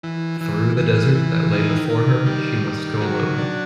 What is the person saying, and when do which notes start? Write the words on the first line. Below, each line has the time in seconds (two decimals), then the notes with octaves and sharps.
Through the desert that lay before her, she must go alone.
0.03 E3
0.41 E3
0.77 E3
1.15 E3
1.52 D#3
1.90 D#3
2.26 G3
2.63 D#3
3.01 F#3
3.38 D4